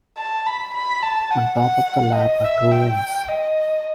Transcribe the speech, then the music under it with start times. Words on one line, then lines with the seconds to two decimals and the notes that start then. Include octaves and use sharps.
On top of the lap are two rings.
0.18 A5
0.46 B5
0.74 B5
1.03 A5
1.31 F#5
1.59 F#5
2.15 D#5
2.44 E5
2.71 G5
3.28 D#5